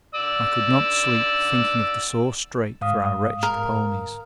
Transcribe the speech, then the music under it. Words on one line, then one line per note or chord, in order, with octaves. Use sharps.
I could not sleep thinking of the sore strait for our wretched ponies.
D5 E6
G#2 F5 D#6
A#4